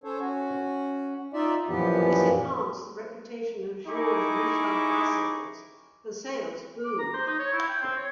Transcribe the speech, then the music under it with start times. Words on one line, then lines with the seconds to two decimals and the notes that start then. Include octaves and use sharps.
This enhanced the reputation of Georges-Richard bicycles and sales boomed.
0.04 C#4 A4 C5 C#5
0.19 C#4 F#4
1.33 D#4 F4 D5 E5
1.68 F#2 A#2 E3 F3 B3 G4
3.86 D#4 E4 G4 G#4 C#6 D6
6.85 D6
6.99 A#5
7.14 C5
7.27 D#4
7.39 C#5
7.53 E4
7.69 G5
7.82 C4
7.97 C#5